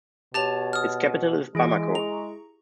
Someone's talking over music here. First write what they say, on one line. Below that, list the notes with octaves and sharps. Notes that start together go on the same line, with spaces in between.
Its capital is Bamako.
B2 G4 C#5 A5 A6 F7
D#6 F6
E3 G#3 E4 G#4 D7
A#5 C#6 F7